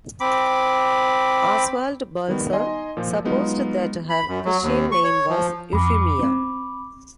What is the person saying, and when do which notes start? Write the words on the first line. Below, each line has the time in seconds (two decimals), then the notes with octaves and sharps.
Oswald Balzer supposed that her Christian name was Eufemia.
0.21 C4 B5 D6
2.28 D#3 G3 B3
2.52 D#4 D#5 G#5 C6
2.97 A#2 F3
3.25 F#3 G#3 B3 D#4 F4
4.09 B5
4.28 F#2
4.45 F#3
4.62 D#2
4.92 C#6
5.04 C#5
5.29 F3
5.73 F2 B5 D6
6.19 C4 D4